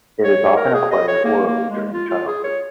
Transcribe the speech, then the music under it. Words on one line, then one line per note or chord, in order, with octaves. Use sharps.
It is often acquired orally during childhood.
C#5
A#4
G#4
D#5
C#5
A#3
A#3
G#3
F4
F4
G#4
C#5